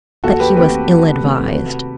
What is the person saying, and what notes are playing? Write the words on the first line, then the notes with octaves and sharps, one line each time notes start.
But he was ill-advised.
D#2 F#4 A4
G4 B4
D#3 A3 C4 G4 B4
D#2
D#3 A3 C4
C3